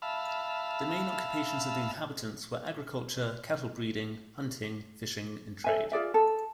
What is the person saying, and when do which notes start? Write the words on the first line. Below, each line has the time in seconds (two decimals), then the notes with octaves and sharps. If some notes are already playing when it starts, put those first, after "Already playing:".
The main occupations of the inhabitants were agriculture, cattle-breeding, hunting, fishing, and trade.
0.02 E5 F5 A5 B5
5.64 A4 E5 G#5
5.92 F4 G#4 D5 E5
6.14 A4